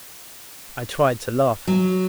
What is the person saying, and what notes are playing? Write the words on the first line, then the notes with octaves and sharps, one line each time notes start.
I tried to laugh.
F#3